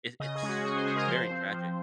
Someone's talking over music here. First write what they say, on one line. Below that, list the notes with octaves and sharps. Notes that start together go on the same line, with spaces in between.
It it's it's very tragic.
C#3 D#5
G#4
G#3 C#4
F#4
C#3 G#4
C5
G#3 C#4 G#4
A#4
F3 C5
C4
F3